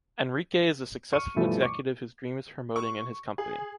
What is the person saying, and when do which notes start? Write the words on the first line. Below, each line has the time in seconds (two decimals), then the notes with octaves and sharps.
Enrique is a successful executive whose dream is promoting in his company.
1.13 C#6 F6 C#7 D#7
1.36 G2 B2 E3 F3 A3 E4
1.63 C#6 D6
2.76 C#6
3.38 G#4